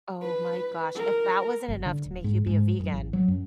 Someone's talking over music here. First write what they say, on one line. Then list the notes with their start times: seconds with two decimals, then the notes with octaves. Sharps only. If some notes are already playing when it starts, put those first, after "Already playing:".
Oh my gosh, if that wasn't enough to make you be a vegan.
0.22 B4
0.95 A#4
1.68 G1
1.86 D3
2.06 D1
2.24 G#2
2.47 G#2
2.79 F#2
2.92 A1
3.13 F#3
3.28 F#2